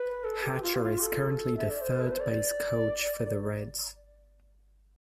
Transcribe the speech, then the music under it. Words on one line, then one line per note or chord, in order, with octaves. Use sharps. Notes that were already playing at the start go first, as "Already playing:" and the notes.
Hatcher is currently the third base coach for the Reds.
Already playing: B4
A4
G4
F4
G4
F4
A4
E5
D5
C5
A4
B4
C5
D5